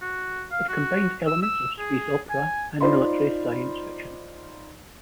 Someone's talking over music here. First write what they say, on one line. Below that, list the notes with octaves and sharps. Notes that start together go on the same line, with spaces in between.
It combines elements of space opera and military science fiction.
F#4
F5
F#4
E6
E6
G#4
G#5
D#4 F4 C5 D5 B5 C6